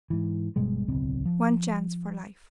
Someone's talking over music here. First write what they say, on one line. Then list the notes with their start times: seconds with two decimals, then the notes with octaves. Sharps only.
One chance for life.
0.10 G#2 E3
0.56 G1 B2 G3 G#3
0.88 D1 B1 C#3 C4
1.25 F3